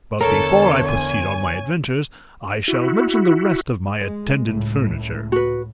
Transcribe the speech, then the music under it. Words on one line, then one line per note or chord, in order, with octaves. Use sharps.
But before I proceed on my adventures, I shall mention the rest of my attendant furniture.
E2 D3 A4 A#4 C#5
G#5
E4 F#4
G#3
C#2 A2
F#4 B4